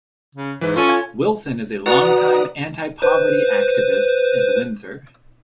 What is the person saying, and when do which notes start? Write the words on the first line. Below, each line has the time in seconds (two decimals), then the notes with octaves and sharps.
Wilson is a longtime anti-poverty activist in Windsor.
0.35 C#3
0.61 G#2 E3 B4
0.76 C#4 F4 A4 C#5
0.88 F5 G#5 G#6
1.86 F#4 B4 D5 F#5 A#5 D#6
3.02 B4 C5